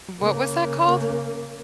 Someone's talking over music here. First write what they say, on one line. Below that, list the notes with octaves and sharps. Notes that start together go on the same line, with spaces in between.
What was that called?
C#3 A#3